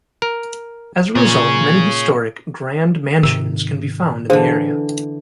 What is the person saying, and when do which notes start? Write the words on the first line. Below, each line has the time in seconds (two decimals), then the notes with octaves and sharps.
As a result, many historic, grand mansions can be found in the area.
0.22 A#4
1.15 A#2 G#4 C#5
3.23 G#2 C3 D#3 E6
4.30 D3 E3 G#4 C5 F5